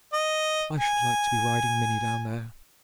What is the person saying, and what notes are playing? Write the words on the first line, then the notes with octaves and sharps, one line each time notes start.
'I should like to be riding Minny down there!
D#5
G#5